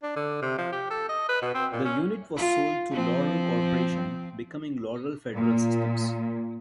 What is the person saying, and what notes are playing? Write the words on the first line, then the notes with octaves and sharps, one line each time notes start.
The unit was sold to Loral Corporation, becoming Loral Federal Systems.
D4
D3
C3
F3
G4
A4
D#5
B4
B2
C4
A#2
C#4
F4
F3 C4
A#2